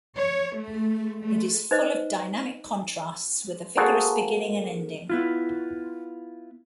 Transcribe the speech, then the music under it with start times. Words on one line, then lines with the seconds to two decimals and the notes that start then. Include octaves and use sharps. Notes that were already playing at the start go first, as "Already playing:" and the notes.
It is full of dynamic contrasts with a vigorous beginning and ending.
0.14 C#5
0.55 A3
1.21 A3
1.71 D#4 B4 C5 D#5
3.77 A#3 F#4 G#4 A4 C5 F#5
5.10 B3 E4 F4